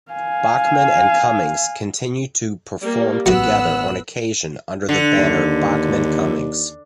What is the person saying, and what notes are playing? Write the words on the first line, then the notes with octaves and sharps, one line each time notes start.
Bachman and Cummings continue to perform together on occasion under the banner Bachman-Cummings.
F5 G#5
G3 A#3
A1 F#3 B3 F#4 E6 F#6
D3
D#2